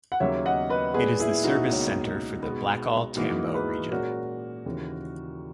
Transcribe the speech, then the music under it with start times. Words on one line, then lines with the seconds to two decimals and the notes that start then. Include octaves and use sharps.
It is the service centre for the Blackall-Tambo Region.
0.12 F#5
0.20 D#2 C#3 F#3 A#3 C#5 E5
0.45 D#5 F#5
0.70 B4 D#5
0.94 A#2 G#3 B3 G#4 B4
1.20 E4 G#4
1.44 D#4 F#4
1.69 C#2 B2 A#3 C#4
2.43 B2 G#3 B3
3.17 G#2 E3 A#3 D#4 F#4
3.54 G#4 B4
3.91 A#2 G#3 C#4 F#4 A#4
4.66 D#2 C#3 E3